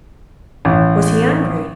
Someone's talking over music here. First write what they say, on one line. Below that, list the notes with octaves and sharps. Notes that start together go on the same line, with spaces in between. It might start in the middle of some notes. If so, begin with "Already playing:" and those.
Was he angry?
A1